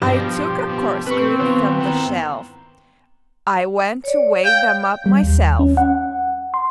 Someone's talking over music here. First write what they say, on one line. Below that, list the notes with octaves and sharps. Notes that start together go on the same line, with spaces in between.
I took a corkscrew from the shelf: I went to wake them up myself.
G2 B2 F3 G4 A5 A#6
B2
C4 B4 C#6
D#3 B3 F4
E4 A#4
C#5 D5
F5 G5
G3
D#2
C#4
F#5
C6